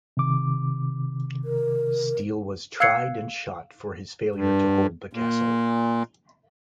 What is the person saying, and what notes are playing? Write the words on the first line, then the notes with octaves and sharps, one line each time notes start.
Steele was tried and shot for his failure to hold the castle.
C3 D#3 D6
A#4
F5 E6 F#6 G#6 C7 C#7
G2
A#2